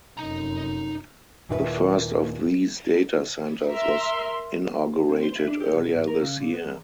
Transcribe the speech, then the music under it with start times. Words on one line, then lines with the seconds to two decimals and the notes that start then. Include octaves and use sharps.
The first of these data centres was inaugurated earlier this year.
0.17 F1 F#2 D#4 A#5
1.49 D#2 A#2 A#3 E4 F4 B4
3.71 A#4 E5 C6
5.09 C4
5.23 C5
5.35 E4
5.48 D4
5.60 G4
5.74 B1
5.94 G#2
6.07 A#4
6.22 C#3
6.40 A#2
6.54 B3
6.65 E2